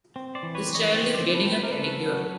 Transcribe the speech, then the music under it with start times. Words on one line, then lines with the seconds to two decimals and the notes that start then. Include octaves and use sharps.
This child is getting a pedicure.
0.16 C4
0.35 C5 D5
0.43 E3
0.55 B4 C#5
0.69 E3
0.75 C#5 D#5
0.95 C4
1.14 C5 D5
1.20 C4
1.34 A4 B4
1.47 C4
1.54 B4
1.63 A#4
1.72 C#3 A4 B4
2.00 F#3